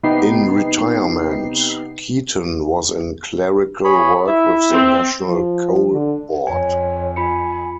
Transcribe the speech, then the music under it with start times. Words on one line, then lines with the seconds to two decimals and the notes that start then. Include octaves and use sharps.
In retirement, Keeton was in clerical work with the National Coal Board.
0.03 C3 B3 D#4 G4 C7
3.84 G#4 C#5 B5
4.27 E4 E5
4.71 C4
5.28 F3
5.92 D3
6.47 F2 C#5 G#5
7.16 F4 G#5 B5 C#7